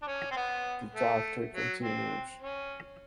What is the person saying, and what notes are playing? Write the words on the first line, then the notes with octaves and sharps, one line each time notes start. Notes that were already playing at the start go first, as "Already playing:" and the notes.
The Dr. continues.
D4
C#4
C4
B3
A3
F#3
C4
C#4